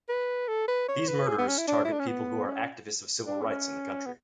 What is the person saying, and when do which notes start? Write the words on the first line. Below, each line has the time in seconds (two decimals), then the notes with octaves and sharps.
These murders target people who are activists of civil rights in the country.
0.09 B4
0.48 A4
0.68 B4
0.88 C#5
1.08 B4
1.27 G#4
1.38 B3
1.48 C#4
1.58 E4
1.68 D4
1.85 E4
1.92 D4
1.99 C#4
2.08 B3
2.47 C#4
3.27 D4
3.41 B3
3.46 C#4
4.06 B3